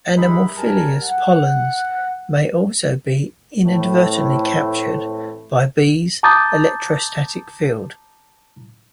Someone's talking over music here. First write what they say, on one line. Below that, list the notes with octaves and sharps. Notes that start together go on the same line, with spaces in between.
Anemophilous pollens may also be inadvertently captured by bees' electrostatic field.
D#3 G3 G#3 D#4 E5 B5
F#2 G3 A#4 G#5 A5
F#5
A2 E3 A3 C4 E4
A5 A#5 D6 D#6 G6 A6